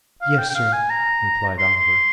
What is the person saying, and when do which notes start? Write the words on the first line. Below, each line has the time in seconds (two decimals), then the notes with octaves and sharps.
'Yes, sir,' replied Oliver.
0.21 F5
0.38 G5
0.49 G5
0.55 F5
0.73 G#5
0.90 A#5
1.59 C6
1.76 C6